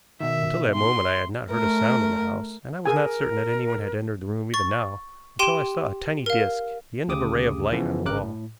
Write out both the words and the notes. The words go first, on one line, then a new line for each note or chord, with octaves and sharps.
Until that moment I had not heard a sound in the house, and I was not certain that anyone had entered the room even now, until I saw a tiny disk, the end of a ray of light, on the wall.
B2 D#3 E5
C6
A3 A#4
G#4 A#4 G#5
C#6 A6
G4 G5 C6 D#7 G7
A#4 F5
D2 C#3 G4 D6 D#6
C#3 E3 F3 B3
G#1 C#3 A#4 D6 F#6
A2